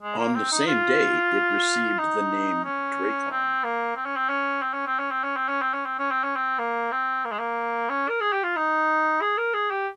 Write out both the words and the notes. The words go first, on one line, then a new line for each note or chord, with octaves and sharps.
On the same day it received the name "Drakon".
G#3
A#3
C4
D#4
F4
D#4
C#4
C4
A#3
C4
C#4
C4
C#4
C4
C#4
C4
C#4
C4
C#4
C4
C#4
C4
C#4
C4
C#4
C4
C#4
C4
A#3
C4
A#3
G#3
A#3
C#4
A#4
G#4
G4
F4
D#4
G#4
A#4
G#4
G4